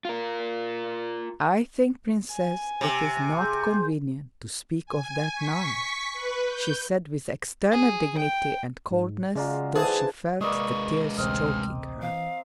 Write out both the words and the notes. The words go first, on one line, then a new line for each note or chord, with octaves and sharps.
"I think, Princess, it is not convenient to speak of that now," she said with external dignity and coldness, though she felt the tears choking her.
F4 A#4
G#5
C3
G#4 C6 G6
G#5
C#6 B6
B4
G6
G#4
G5
G#2
C#3 G#3 F4 F#4 D5 A#5
D3 E3 D4 G#4 C5 A5
G#3 A#3 B4 D5 D#5 C#6
A1 D2 C3 C4 D#5 F6
E3 F5